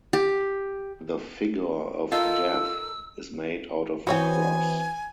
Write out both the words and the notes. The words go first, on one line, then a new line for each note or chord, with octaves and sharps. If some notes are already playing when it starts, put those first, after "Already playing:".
The figure of Death is made out of a cross.
G4
D#4 F4 A4 A#4 E6
E3 B3 C4 F#4 C#5 G5 G#5